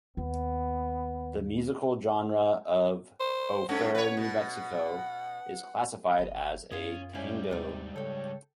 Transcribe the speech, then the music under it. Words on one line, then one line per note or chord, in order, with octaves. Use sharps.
The musical genre of "O Fair New Mexico" is classified as a tango.
D#2 B3
C5
G2 A3 C#4 F#5
B4 C#5
B2
G1 D#5
F#2 C#4 F4 C#5 D#6
G#2 G3 C#4 E4 F5 G#5
D#2 C3 D#4 D5
C#3 A4 C#5 G5